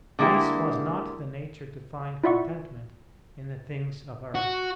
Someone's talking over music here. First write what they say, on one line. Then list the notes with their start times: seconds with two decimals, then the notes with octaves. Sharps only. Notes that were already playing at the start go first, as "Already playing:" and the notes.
His was not the nature to find contentment in the things of earth.
0.19 D3 G#3 A#3 E4 G4
2.24 E4 F4 D5 E5 F#5 C#6
4.35 F#4